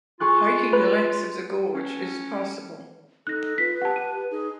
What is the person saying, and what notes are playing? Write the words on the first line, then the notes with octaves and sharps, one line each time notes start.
Hiking the length of the gorge is possible.
F4 G#4 C#6 F#6
B4 F#6
C#4
D#4 A4 F#6 A#6
F4 B4 B6
G4 F#5 A5
D#7
D#4 G#4